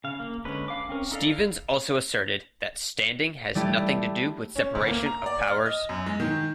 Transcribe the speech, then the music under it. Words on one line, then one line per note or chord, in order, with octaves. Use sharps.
Stevens also asserted that standing has nothing to do with separation of powers.
C#3 F5
A#3
D3 G#3 C#4 B4
F5 D6
C4 C#4 A#4
D#4 E4 A4 D5 F5
G3 A3 E4 G4
C#4
D2
A#3
A#5
D5
F6
D#5
F#2
G#3
D#3